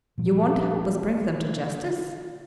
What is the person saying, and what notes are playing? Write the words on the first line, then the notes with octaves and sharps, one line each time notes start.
"You won't help us bring them to justice?"
A#2 F3 F#3